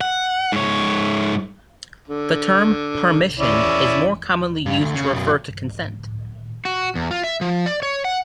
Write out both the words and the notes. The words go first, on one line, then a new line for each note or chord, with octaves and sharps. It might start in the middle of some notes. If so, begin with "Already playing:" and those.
The term "permission" is more commonly used to refer to consent.
F#5
G#2 C#5
D3
C#4 E4 D5
G2
D2
C#3
B1 F#2
F#4
E2
F4
E5
F3
D5
C#5
F#5